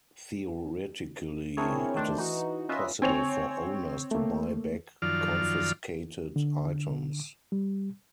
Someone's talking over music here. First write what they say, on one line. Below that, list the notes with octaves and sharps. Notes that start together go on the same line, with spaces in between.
Theoretically, it is possible for owners to buy back confiscated items.
C4 D4 E4 G#4 A#4 C#5
D#3 A3 D4 C5
E3 D#4 F#4
C#4 F4 B4 D#5 E5
C4 C#5 G#5 F7
A3 A#3
F#2 D#3 F3 F4 D5 F6
D3
G3